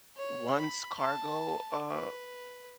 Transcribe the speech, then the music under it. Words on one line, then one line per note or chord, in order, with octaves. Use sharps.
once cargo, uh,
C#5
B5
A5
B4